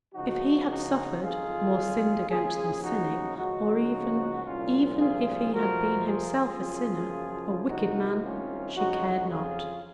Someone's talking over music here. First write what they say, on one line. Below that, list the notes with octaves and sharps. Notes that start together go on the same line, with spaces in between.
If he had suffered, more sinned against than sinning, or even, even, if he had been himself a sinner, a wicked man, she cared not.
C#2 C#3 F3 D#4 F#4
D#4 F#4
F2 D#3 F4 G#4
D#2 C#3 F3 F4 G#4
D#4 F#4
C#2 C#3 F3 D#4 F#4
C2 A#2 F3 C#4 F4
F4 G#4
F2 C3 F3 F#4 A#4
F4 G#4
F#2 C#3 F3
C2 C3 D#3 D#4 F#4
C#4 F4
F2 C#3 F3 D#4 F#4
F4 G#4